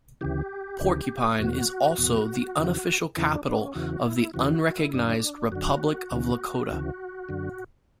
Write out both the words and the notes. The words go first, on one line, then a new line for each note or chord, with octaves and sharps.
Porcupine is also the unofficial capital of the unrecognized Republic of Lakotah.
D2 C#3 E3 G4
D2 C#3 E3
E2 B2 F#4
E2 B2
E2 C#3 E3
E2 C#3 E3 E4
D4
D4
C#4
E2 C#3 E3 F#4
E4
E2 C#3 E3 F#4
E4
F#4
E4
F#2 D3 D4
F#2 D3 F#4
D2 C#3 E3
D2 C#3 E3
F#2 D3